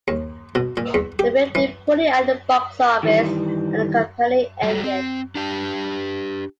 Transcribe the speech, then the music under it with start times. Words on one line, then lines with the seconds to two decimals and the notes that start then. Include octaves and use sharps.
The film did poorly at the box office, and the company ended.
0.08 D#2
0.55 B2
0.77 A#2
0.94 E2
1.19 G4
1.55 E3
3.03 D#3 E3 G3
4.63 F#3 G3
4.84 C4
5.35 D4 G4 A5